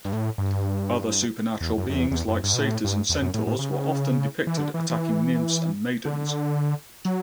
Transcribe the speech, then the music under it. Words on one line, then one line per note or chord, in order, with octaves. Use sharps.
Other supernatural beings like satyrs and centaurs were often depicted attacking nymphs and maidens.
G2
A2
G2
E2
F#2
F#2
E2
E2
F#2
G2
B2
A2
G2
E2
F#2
A2
A2
C#3
E3
D3
E3
E3
D3
F#3